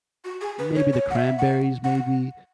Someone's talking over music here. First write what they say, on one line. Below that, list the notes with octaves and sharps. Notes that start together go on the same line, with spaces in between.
maybe The Cranberries, maybe?
F#4
G#4
B4
C#5
C#5
F#5
E5
F#5
F#5